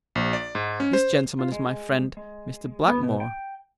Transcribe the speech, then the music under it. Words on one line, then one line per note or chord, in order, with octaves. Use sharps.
This gentleman is my friend, Mr. Blackmore.
A#1
D5
G#2
C#4
C5
F4
G#3
G#3
B3
B2
G5